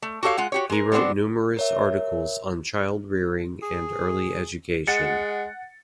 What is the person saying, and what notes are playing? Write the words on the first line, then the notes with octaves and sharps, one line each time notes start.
He wrote numerous articles on child rearing and early education.
A3
F#4 G4 A4 C#5 F5
G#3 F4 F#5
F#4 G4 C#5
G#3 A#4
G3 G#3 B3 C4 D4
A#4 C#5 E5
G#4
G#3 F#5 A6 C#7